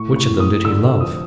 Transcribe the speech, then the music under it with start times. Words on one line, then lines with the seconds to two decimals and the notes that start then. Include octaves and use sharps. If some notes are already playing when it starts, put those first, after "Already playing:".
Which of them did he love?
Already playing: A2 C#6
0.10 A2
0.16 C#6
0.28 A2
0.40 D#6
0.47 A2
0.65 D3 E6
0.83 D3
1.00 F3 D#6